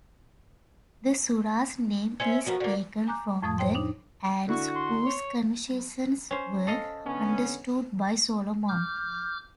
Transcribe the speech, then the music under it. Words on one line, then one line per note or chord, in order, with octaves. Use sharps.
The sura's name is taken from the ants whose conversations were understood by Solomon.
C#4 C5 E5
F3 B3 F#4 A#4
D3 A#3
G#5 A#5 D6 F#6 G6
F2 A2 F3 A5 D#6 G#6
C5 C#5 G5 C6
D4 D#4
D3 E4 F#4 C#6
C6
C#5
C#4 C5
A4 D#5 F5
D3 B3 C#4
D6 F6 G6